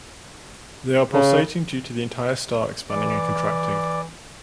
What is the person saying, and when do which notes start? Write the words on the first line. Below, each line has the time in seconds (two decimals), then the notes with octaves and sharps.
They are pulsating due to the entire star expanding and contracting.
1.13 C#3
2.90 E3 D5